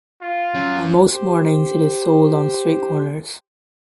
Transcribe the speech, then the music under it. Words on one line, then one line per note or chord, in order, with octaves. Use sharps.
On most mornings it is sold on street corners.
F4
F#3 C#4
G4 C5